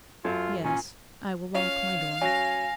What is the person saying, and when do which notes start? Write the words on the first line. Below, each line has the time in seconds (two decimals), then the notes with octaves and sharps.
'Yes, I will lock my door.'
0.25 F#2 F4 A4
0.64 A#2 C#4
1.55 C#4 F4 F5
2.21 F#3 C#4 G#5 A#6